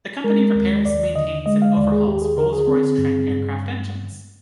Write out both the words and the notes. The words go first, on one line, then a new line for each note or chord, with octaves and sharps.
The company repairs, maintains and overhauls Rolls-Royce Trent aircraft engines.
G#3 A#4
D#2
D#2 D5
D3 D#5
G#3 D#5
F5
D#2 D5
G#4
D#2 G4
G#4
D3 A#4
G#4
C4
G2
G2